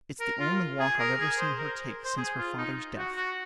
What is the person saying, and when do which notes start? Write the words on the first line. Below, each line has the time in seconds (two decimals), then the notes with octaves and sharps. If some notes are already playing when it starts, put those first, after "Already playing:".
It's the only walk I've ever seen her take since her father's death.
0.20 A#4
0.40 F4
0.80 G#4
0.99 A#4
1.19 G#4
1.38 C5
1.58 A#4
2.05 C5
2.17 G#4
2.37 F4
2.57 D#4
2.97 F#4
3.16 F#4